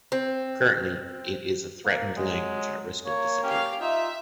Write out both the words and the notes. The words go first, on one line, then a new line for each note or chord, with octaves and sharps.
Currently, it is a threatened language at risk of disappearing.
C4
A#3
F#3 G#3
A#3 C#5
C#4 G4 F5
D#4 F4 E5